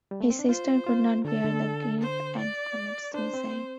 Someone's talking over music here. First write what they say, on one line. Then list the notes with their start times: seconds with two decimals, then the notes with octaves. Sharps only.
His sister could not bear the grief and commits suicide.
0.11 G3
0.21 A3
0.30 C4
0.39 D4
0.49 F4 C5
0.86 F4
1.25 D3 A4
1.44 D3
2.01 C5
2.39 D5
3.14 D4 C5
3.34 C4